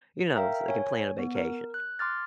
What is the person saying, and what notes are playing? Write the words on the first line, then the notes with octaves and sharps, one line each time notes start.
you know, so they can plan a vacation,
A#4 E5 F5 G5 A#5
C#5 G#5
B3
A#4
F#6
C6 D6 F6 A6